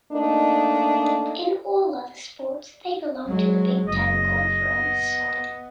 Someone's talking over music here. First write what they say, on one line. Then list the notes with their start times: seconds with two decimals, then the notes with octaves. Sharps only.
In all other sports, they belong to the Big Ten Conference.
0.12 A3 A#3 D4 D#4
3.27 F#3 G#3
3.88 F#1 D#5
4.73 B3